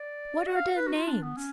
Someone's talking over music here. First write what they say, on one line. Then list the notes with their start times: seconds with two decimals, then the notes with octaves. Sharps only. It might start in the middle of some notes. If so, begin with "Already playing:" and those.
"What are their names?"
Already playing: D5
0.47 F#5
0.56 F5
0.76 B4
0.87 F#4
0.97 F4
1.07 D4
1.22 B3
1.37 C#4